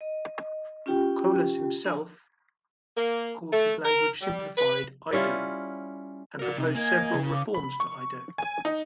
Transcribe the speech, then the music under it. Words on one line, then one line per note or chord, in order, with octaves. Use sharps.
Colas himself called his language "simplified Ido" and proposed several reforms to Ido.
D#5
C#4 F4 G4 G5
D4 G#5
A#3
A3
A#4
G3
B4
G3 C#4 E4 F4
F#4 A#4 D5
C3 D#4
A#3 D#5 G#5 G#6
C#3
F5 D6
B5
C#6
G#5
D#4